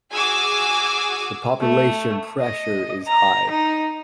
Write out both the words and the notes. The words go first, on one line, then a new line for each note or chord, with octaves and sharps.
The population pressure is high.
F#4 G#4 G#5 D6 E6
A3
D#5
A#5
D#4